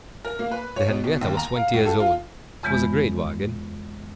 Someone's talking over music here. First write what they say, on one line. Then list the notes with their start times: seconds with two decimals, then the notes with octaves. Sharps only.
The Henrietta was twenty years old; it was a great bargain.
0.25 A#4
0.39 A#3
0.51 B4
0.76 C#5
0.88 B2
1.04 B2
1.21 D#2
1.37 A#5
1.56 F5
1.74 C#2
1.86 A4
2.00 F4
2.63 F2 C#3 E3 G#3 B3 B5